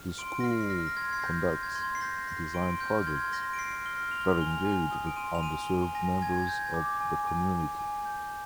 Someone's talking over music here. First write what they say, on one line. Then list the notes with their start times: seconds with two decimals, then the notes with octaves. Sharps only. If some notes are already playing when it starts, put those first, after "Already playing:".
The school conducts design projects that engage with under-served members of the community.
Already playing: F6
0.18 C6 D7
0.40 A#6
0.44 F6 C7
0.61 C7
0.70 F6 A#6
0.87 A#6
0.97 C6 G#6
1.13 C7
1.22 G6 A#6
1.49 C6
1.63 G#6
1.75 C6
1.95 C7
2.01 G6 A#6
2.28 G6 C7
2.54 C6 D7
2.80 F6 G6
3.07 C6 G#6
3.33 C6 A#6
3.53 D7
3.59 F6 C7
3.85 F6 G7
4.11 C6 F7
4.21 G7
4.31 F7
4.38 G#5 G7
4.50 F7
4.61 G#5 G7
4.70 F7
4.91 D#6
5.07 D7
5.16 C6 D#7
5.35 F7
5.43 G#5 D#7
5.63 G7
5.69 G#5 F7
5.95 G#5 A#6
6.22 G#5 G#6
6.48 G6 G#6
6.74 D6
7.00 G#5
7.27 G#5
7.53 G#5
7.79 G#5
8.05 G6